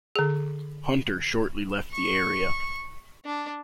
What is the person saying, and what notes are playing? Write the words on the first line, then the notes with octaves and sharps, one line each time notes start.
Hunter shortly left the area.
D3 G#4
C#6
D4